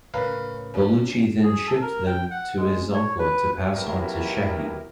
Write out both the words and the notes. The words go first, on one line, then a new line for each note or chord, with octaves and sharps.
Baluchi then shipped them to his uncle to pass onto Shehhi.
A2 C#3 C#4 A#4 B4 F5
G2 C#4
G#4
A4
A#4
G5
F#5
G#3
C#5
B4
B1 E3 F#3 E4 G4 A#4